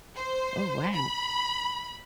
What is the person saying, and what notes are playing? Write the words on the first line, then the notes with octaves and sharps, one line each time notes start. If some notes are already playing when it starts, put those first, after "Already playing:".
Oh, wow.
C5
B5